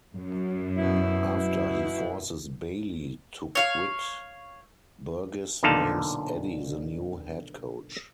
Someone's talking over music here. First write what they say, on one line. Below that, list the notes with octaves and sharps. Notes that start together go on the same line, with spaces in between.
After he forces Bailey to quit, Burgess names Eddie the new head coach.
F#2
B2 E4
C#5 F5
B1 A#2 D3 D#4 F5 A5